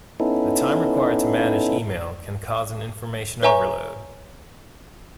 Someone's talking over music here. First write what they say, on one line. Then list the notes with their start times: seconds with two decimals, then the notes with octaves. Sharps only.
The time required to manage email can cause an information overload.
0.20 B3 C#4 D#4 E4 A4
3.43 B4 C#5 E5 G#5 A#5 C#6